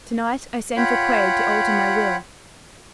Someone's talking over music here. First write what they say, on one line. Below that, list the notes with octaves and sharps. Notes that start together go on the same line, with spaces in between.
To-night I send for Quaid to alter my will.
F4 C#5 F#5 G5 B5